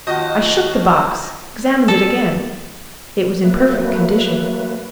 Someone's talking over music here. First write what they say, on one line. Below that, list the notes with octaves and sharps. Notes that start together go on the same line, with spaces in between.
I shook the box, examined it again, it was in perfect condition.
D#2 F3 F4 F#4 D#5 C#6 G6 A#6
A4
F#3 A3 A#3 B4